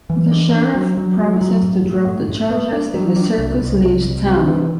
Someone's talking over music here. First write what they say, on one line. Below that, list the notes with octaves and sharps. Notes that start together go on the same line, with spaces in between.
The Sheriff promises to drop the charges if the circus leaves town.
E3
D4
D4
F#3
F#3
F#3
F#3
A2
A2
A2
A2
B3
D4
F#3
D4
C2
C2
C2
C2
C3
E3